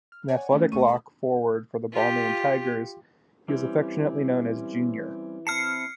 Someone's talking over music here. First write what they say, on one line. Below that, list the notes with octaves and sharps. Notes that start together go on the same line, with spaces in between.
An athletic lock forward for the Balmain Tigers, he was affectionately known as 'Junior'.
F6
C#5 D5 F#5 G#5
D#3 A3 C#4
A1 D2 C3 A3 C#6 D#7
A4 D#5 A5 B5
F4 G4
E3 G3 C4 C#4
C4 E4 A5 F6 C7 C#7